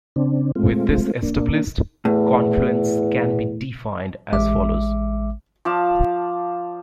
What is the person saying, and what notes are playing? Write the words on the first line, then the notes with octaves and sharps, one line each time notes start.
With this established, confluence can be defined as follows.
C#3 C4 D4
G#3 A3 C4 F4
A#3 D4
E2 A2
A1 G#3 E5 D6
F3 D5 F5 A5